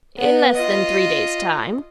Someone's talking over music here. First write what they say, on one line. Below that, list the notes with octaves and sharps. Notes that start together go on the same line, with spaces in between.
"In less than three days' time."
B3 F#5
F4 D#5